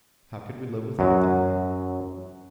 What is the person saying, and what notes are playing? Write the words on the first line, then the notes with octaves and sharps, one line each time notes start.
How could we live without them?
F#2 F#3